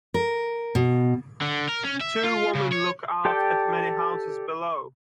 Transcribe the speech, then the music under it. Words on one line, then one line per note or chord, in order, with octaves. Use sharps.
Two women look out at many houses below.
A#4
B2
D3
A#4
C#4
E5
F4
C#3
C#5
G4 A4 D5 G5